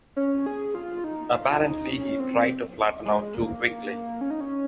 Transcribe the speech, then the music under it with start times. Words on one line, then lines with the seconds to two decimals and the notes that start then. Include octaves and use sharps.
Apparently he tried to flatten out too quickly.
0.16 C#4
0.46 G#4
0.75 F4
1.04 D#4
1.33 F4
1.61 D#4
1.90 C#4
2.20 C4
3.05 G#3
3.35 A#3
4.21 C#4
4.30 D#4
4.41 C#4